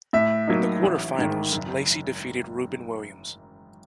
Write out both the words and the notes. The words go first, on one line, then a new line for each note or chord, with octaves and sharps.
In the quarter-finals, Lacy defeated Rubin Williams.
A2 E5
F#3 A#3 D#4
A1
G#2 D#3
F#1